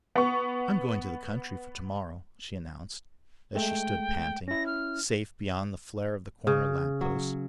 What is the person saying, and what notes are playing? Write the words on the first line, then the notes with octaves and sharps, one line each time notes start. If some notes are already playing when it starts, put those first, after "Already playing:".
"I'm going to the country for to-morrow," she announced, as she stood panting, safe beyond the flare of the corner lamp-post.
B3 C#6
G#3 A3 G5
C#4 E4 A#6
F6
C#3
F#3